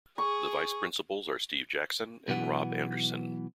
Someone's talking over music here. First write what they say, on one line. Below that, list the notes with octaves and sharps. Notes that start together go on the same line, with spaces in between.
The vice-principals are Steve Jackson and Rob Anderson.
G#4 C#6
B1 B2 E3 F#5